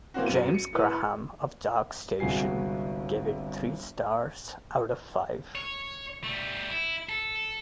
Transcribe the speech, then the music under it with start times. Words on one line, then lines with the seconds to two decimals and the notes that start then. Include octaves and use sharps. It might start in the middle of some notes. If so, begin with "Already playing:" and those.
James Graham of "Dark Station" gave it three stars out of five.
0.14 E3 A#3 C4 C#4 F#4
0.26 F#2 B3 D#7
0.54 C#7
0.73 A2 B4
2.20 G1 C2 G#3 F#4 G#5 C7
5.55 C#5
6.24 G3 A3
6.69 E4
7.09 A4